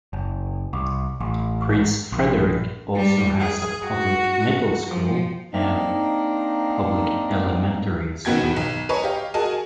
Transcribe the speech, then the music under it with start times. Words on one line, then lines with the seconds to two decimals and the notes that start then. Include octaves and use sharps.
Prince Frederick also has a public middle school and public elementary school.
0.13 F#1
0.73 C2
1.20 A1
2.12 A#1
2.96 G3
3.41 G#4
3.86 F#4
4.88 F3
5.53 A#3 C4 D4 D#4
8.25 B1 D#3 B3 F#4 G5 G#6
8.57 B1
8.89 B4 C#5 D#5 G#5 A#5 C#6
9.04 G4 D#5 F5
9.34 F#4 G#4 A#4 D#5 G#5 A5